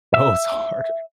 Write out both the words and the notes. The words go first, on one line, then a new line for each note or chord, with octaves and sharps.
Oh, it's harder.
E5